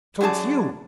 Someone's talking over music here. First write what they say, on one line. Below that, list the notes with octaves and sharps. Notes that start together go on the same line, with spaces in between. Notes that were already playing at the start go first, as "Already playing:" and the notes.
"So it's you!"
F#2 F#3 G#4 D5 A5